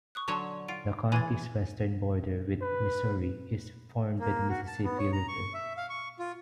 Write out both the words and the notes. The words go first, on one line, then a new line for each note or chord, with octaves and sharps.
The county's western border with Missouri is formed by the Mississippi River.
C#6 D#6 F#6
D3 F#3 C#5 A5 C6 C#6
F4 F#5 D7
E3 G#3 G#5 G#6 A6
B4
A#3
F#4
A5
B3
C#5
A#5
C#6
E5
F5
C#6
F4